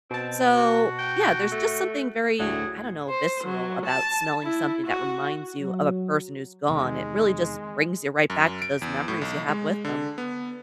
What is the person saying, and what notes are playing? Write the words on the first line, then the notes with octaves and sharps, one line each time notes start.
So, yeah, there's just something very, I don't know, visceral about smelling something that reminds you of a person who's gone. It really just brings you right back to those memories you have with them.
B2 C4 A5
F#4
G5
A3
D2 A2 D3 F#3 G#4
C5
F#3
A5
E4
F#4
F#3
E2 C3 D#3 G#3
F#2
D7
E2
A2
B1
G#3
D3
B3